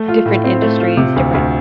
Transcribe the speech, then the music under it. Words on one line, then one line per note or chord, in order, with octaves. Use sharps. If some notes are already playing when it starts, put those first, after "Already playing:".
different industries, different
Already playing: A3
F4
A2
C4
A3
F4
C3
D2
D2